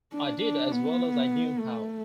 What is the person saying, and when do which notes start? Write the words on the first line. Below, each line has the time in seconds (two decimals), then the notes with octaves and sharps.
I did as well as I knew how.
0.13 D4
0.42 D4
0.72 B3
1.60 A3